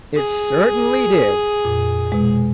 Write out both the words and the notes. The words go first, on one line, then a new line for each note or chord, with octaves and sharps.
It certainly did.
G#4
F2 A#2
B2 G#3